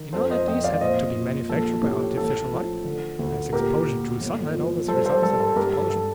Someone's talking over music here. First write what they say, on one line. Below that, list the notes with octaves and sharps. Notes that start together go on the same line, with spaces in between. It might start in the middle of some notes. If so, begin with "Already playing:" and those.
You know that these have to be manufactured by artificial light, as exposure to sunlight always results in an explosion.
Already playing: D#3
F2 A4 C5
C5 D#5
F2 D#5 G5
D5 F5
A#2 C5 D#5
A#2
A#1 A4
A2 G4
A1 A4
F3
D3
D2
A#2 G4 A#4
A#2
G1
F3
G3 A4 C5
A4 C5
G3 A4
A4
G2 G4 A#4
A4
A4